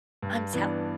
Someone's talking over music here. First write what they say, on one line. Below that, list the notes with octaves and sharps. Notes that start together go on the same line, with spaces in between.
I'm so
G2
E3 B3 D4